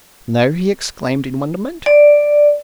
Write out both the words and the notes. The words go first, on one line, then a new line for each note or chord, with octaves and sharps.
"No?" he exclaimed, in wonderment.
D5